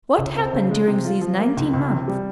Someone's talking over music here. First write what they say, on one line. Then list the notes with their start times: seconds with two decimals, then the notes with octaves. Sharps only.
What happened during these nineteen months?
0.18 C#2
0.36 C4
0.53 C#3
0.71 G#3
0.88 C3
1.05 F4
1.21 F3
1.39 A#3
1.57 C#2
1.73 C#2
1.90 C3
2.08 G3